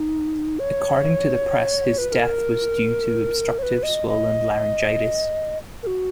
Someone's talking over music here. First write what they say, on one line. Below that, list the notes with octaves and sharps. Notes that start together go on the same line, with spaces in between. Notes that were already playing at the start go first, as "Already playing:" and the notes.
According to the press his death was due to obstructive swollen laryngitis.
Already playing: D#4
C#5
B4
B4
A#4
C#5
B4
D#5
D#5
A#4
F#4